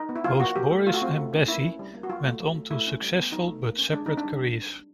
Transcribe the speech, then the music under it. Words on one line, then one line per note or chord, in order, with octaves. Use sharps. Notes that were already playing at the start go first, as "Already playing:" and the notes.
Both Boris and Bessie went on to successful but separate careers.
Already playing: D#4
B3
E4
F#3 F4
A#3 F#4
F#3 G4
A3
A3 F4
F#4
C4 F4
A3
C#4
A#3 E4
C#4
G3
A#3
F#4
F#3 F4
A3
F#3
A3
A3 E4
C#4
G3
B3
F#3 D#4
A3
A#3
C#4
G#3 D4
C4 D#4
D4
G3